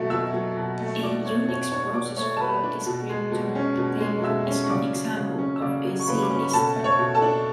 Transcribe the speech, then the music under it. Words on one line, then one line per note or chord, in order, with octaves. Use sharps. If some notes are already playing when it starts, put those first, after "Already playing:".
A Unix process' file descriptor table is an example of a C-list.
Already playing: B2 F#3 A3 E5
B2 E5 E6
F#3
B2
A3
B2 D5 D6
A3 C#5 C#6
B2 C#5 C#6
D4 C#5 C#6
B2 D5 D6
A3 C#5 C#6
A5
B2 B4 B5
D4
B2
G#3
B2
C#4
B2
G#3
B2 E5 E6
C#4
C#6
C#3 D5 D6
F#3
C#3
C#4
E6
C#3 D5 D6
F#3
C#6
C#3 B4 B5
D6
C#4 C#6
B5
B2 A4 A5
A3
C#5 C#6
B2
A4 A5
D4